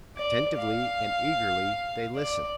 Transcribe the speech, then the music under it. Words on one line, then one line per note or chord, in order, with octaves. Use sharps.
Attentively and eagerly they listened.
D5
F5
D5